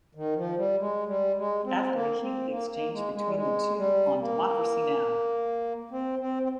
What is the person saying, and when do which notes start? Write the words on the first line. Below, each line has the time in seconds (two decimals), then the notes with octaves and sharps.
After a heated exchange between the two on Democracy Now!
0.15 D#3
0.36 F3
0.57 G3
0.79 G#3
1.07 G3
1.36 G#3
1.65 C4
1.92 A#3
2.21 C4
2.50 A#3
2.70 A#3
2.92 G#3
3.14 G#3
3.26 G3
3.35 G#3
3.77 G3
4.19 A#3
5.91 C4
6.19 C4
6.43 C4